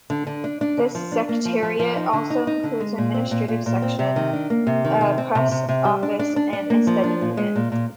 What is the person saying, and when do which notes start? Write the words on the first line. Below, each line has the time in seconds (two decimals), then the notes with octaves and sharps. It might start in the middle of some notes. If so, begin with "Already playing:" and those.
The Secretariat also includes an administrative section, a press office and a Study Unit.
0.10 D3
0.27 D3
0.44 D4
0.61 D4
0.78 D3
0.95 F3
1.12 D4
1.29 A#3
1.45 F3
1.63 F3
1.79 F3
1.96 D#4
2.13 D3
2.30 D#4
2.47 D#4
2.63 D3
2.80 G#3
2.98 A#2
3.14 C4
3.31 A#2
3.48 A#2
3.66 A#2
3.82 C4
3.99 C3
4.16 D#3
4.33 D4
4.50 A#3
4.67 C3
4.85 D#3
5.01 C3
5.18 C4
5.35 C3
5.51 C3
5.69 C3
5.85 G3
6.03 D4
6.19 D4
6.36 D4
6.53 D4
6.70 A#3
6.87 F3
7.04 D4
7.21 A#2
7.37 G#3
7.55 A#2
7.72 A#2